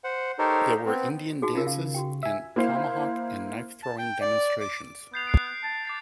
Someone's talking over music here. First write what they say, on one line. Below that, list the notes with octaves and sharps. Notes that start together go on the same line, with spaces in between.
There were Indian dances and tomahawk and knife-throwing demonstrations.
C5 F#5
D#4 G4 A4 A#4 C5 C#5
B3 C4
D#4 F#4 G#4
C#3 F4 A#4
F5
F#4 G4 G5
E5 G#5
A#3 E4 C5 F5
A5
G5
D5
D6
B3 G6 C7 F7
F#6 C7 D7
A5
D6 A6 C7